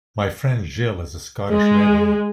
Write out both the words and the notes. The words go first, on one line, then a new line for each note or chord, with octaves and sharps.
My friend Gill is a Scottish redhead.
G#3